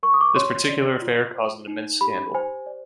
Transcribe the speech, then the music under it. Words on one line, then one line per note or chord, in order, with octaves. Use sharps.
This particular affair caused an immense scandal.
A#4 C#6
D#6
D6
C#6
C#5 C6
D5
F4
C5
D#4
G4 B5
C5 G#5
D5